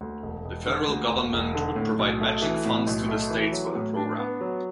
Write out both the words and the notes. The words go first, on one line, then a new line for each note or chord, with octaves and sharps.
The federal government would provide matching funds to the states for the program.
D2
E1
E1
D3
D2
E1
E1
D3
A2
B1
A3
E3
A2
B1
A3
E3
F#3
A2
D4
B3
F#3